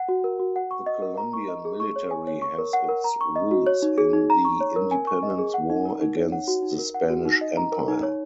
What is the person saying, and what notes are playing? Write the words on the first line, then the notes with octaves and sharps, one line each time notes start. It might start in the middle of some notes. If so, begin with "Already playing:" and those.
The Colombian military has its roots in the independence war against the Spanish Empire.
Already playing: F#5
F#4
A#4
F#4
F#5
C#6
D#5
A#4
A#5
C#6
D#5
G#4
C#6
C#5
G#5
C#5
C#6
A#4
F#5
A#4
A#5
C#6
D#5
F#4
C#5
D#4
G#4
D#4
A#5
C#6
C#5
A#4
G#5
C#6
D#5
G#4
F#5
D#4
A#4
D#4
C#5
F#5
F#4
D#4
A#4
F#5
F#4
D#4
D#5
A#5
A#4
D#4
C#5